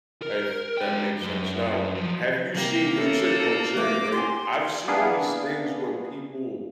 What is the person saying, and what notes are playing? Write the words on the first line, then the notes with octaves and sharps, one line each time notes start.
if that makes sense. Now, have you seen 'cause you said crocheting, right? I've seen these things where people
A#4
G#3 G5
F#2
F3 F#3
C2 A#3 G4
C#4 E4 A4
A3 F5 D6
G4 F#5 G#5 C6
A#3 B3 D4 E4 G#4 F5